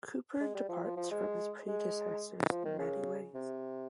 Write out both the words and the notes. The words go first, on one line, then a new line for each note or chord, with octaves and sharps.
Couperin departs from his predecessors in many ways.
G#3
G3
F3
F3
F3
G#3
G#3
F3
D#3
C#3
C3